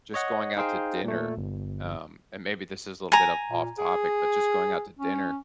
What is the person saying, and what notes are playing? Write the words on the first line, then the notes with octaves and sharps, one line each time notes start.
just going out to dinner, um, and maybe this is a little bit of off topic, but just going out to dinner,
C#5 D#5 F#5
D#4 G#4 C5 F5 G5
A#2 A3
G1
G#5 A#5
A#2
G#4
C#4